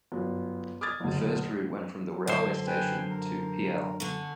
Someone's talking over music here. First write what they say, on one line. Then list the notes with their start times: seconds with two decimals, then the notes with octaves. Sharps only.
The first route went from the railway station to pl.
0.12 G1 F#2
0.81 D6 D#6 F6 G#6 A6
1.00 F#1 D2
2.27 F#2 D3 C5
2.67 B4 G5 G#5
3.10 A#4
4.00 D3 C#4